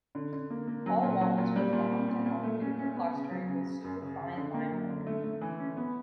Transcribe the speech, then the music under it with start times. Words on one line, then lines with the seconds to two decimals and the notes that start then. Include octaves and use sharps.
All walls were found to have beautiful plastering with superfine lime mortar.
0.15 D3
0.33 D3
0.50 A#3
0.67 A#3
0.86 F#3
1.03 A#2
1.21 F#3
1.38 A#2
1.56 G3
1.73 A#2
1.91 C4
2.08 A#2
2.26 A#2
2.43 A3
2.61 C#4
2.79 C#4
2.96 B3
3.13 C#3
3.31 F#3
3.48 C#3
3.66 C#3
3.84 F#2
4.02 C#3
4.20 C#3
4.37 D3
4.54 A#3
4.71 F#3
4.89 D3
5.07 A3
5.24 A3
5.41 E3
5.59 C#4
5.77 B3